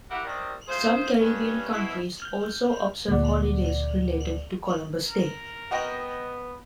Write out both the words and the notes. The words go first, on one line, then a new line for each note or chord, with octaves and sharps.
Some Caribbean countries also observe holidays related to Columbus Day.
E4 F#4 G4 A#4 E5 F#5
C3 D#3 G3
A3 F4 G#4 C5
G2 C#4
B2 E4
F6 G6
D2 A#2 G#3 D5 F#5
A#4
B3 F#4 D#5 G5